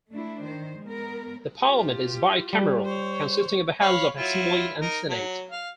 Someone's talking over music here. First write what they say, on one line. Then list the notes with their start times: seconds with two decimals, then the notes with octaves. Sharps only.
The Parliament is bicameral, consisting of the House of Assembly and Senate.
0.11 A3 D4 E4
0.43 D#3 C5
0.82 G#3 B3 A#4
1.62 F4 G4
2.53 G3
2.85 C5 C#5
3.81 C#5 F5 B5
4.16 F#3 E4 F4
4.81 D#4 A#4
5.10 F#3
5.51 F5